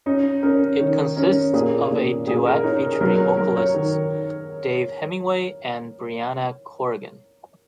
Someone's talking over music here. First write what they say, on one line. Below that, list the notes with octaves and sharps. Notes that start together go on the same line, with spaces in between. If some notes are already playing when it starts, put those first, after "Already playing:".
It consists of a duet featuring vocalists Dave Hemingway and Briana Corrigan.
C#4 D#4
C#4 A#4
D#3 C#5
C#4 A#4
A#2 G#4
A#2
A#2 G#4
A#4
D#4 C#5
A#4
G#4
F#3 A#4
C#5
F#3 A#4
C#5
D#3